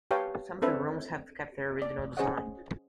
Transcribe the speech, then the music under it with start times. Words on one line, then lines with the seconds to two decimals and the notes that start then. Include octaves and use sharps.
Some of the rooms have kept their original design.
0.11 G4 B4 C#5 F5 G5 A5
0.62 C4 D4 A4 B4 C5 E5
1.82 D5
2.17 C#4 G#4 C5 C#5 D#5 F#5